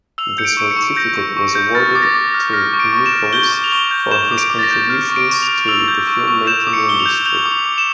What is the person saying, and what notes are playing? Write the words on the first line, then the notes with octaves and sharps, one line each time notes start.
The certificate was awarded to Mikels for his contributions to the filmmaking industry.
E6 F7
G6 C#7
D7
C#6 D7
C#7
C#6
G6 A#6
C#6
C#6
G6
F6 A6
D6 A6
A#6
D6
A#6
F6
F6 A#6
C#6
D7
C#6
E7
F6
G6 G7
C#6
F7
C#6 G7
G6
G6 E7
D6
D7
D6
A6
A#6
G6
F6
C#6
D7
C#6
F7
F6
E6 F7
G6
C#6
C#6
G6 E7
D6
C#7
D6 G7
F7
G6
G6 F7
D6
F7
D6
E7